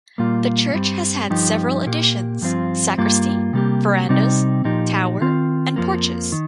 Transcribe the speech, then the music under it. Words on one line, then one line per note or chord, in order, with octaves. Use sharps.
The church has had several additions: sacristy, verandas tower and porches.
A#2 G3 A#3 F4
G2 G3 C4
G2 F3 D#4 G4
A#2 A#3 G4
G2 F3 C4 F4
G2 G3 A#3 F4
C3 G3 A#3 G4
C3 G3 C4 D#4
A#2 F3 D#4 G4
D#3 C4 F4
F2 F3 A#3
D#3